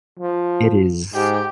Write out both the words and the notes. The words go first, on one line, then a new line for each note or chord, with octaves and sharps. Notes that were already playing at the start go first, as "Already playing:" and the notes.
It is.
F3
G#2 G4